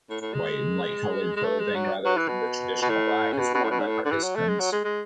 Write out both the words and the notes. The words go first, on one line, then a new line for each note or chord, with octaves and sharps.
White and light colored clothing, rather than the traditional black, is worn by participants.
A2
A2
G#3
G#3
A3
G#3
F#3
F#3
E3
B2
B2
A2
C#3
B2
B2
A2
B2
G#2
A2
D3
E3
F#3
A3
G#3
F#3
G#3
G#3